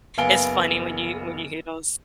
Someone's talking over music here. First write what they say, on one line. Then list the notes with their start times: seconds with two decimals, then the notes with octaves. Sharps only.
It's funny when you when you hear those
0.18 F#1 B3 F5 G#5 D7 G7